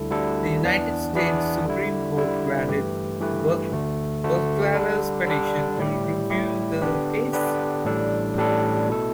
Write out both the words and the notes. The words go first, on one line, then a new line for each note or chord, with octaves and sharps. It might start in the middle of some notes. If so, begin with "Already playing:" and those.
The United States Supreme Court granted Buchalter's petition to review the case.
Already playing: D2 D3 G3 E4 A4
D2 D3 G3 E4 A4
E2 E3 B3 D4
E2 E3 B3 D4
D3 G3 E4
D3 G3 E4
G2 E3 A3 G4 B4
G2 E3 A3 G4 B4
D2 D3 A3
D2 D3 A3
D3 G3 D4
D3 G3 D4
A2 G3 E4 G4
A2 G3 E4 G4
D3 B3 D4 G4 B4
D3 B3 D4 G4 B4
A1 A2 G3 D4 A4
A1 A2 G3 D4 A4
B2 A3 E4 A4